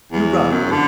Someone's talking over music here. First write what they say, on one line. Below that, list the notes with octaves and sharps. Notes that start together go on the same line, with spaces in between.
You run!
E2
F#2
D3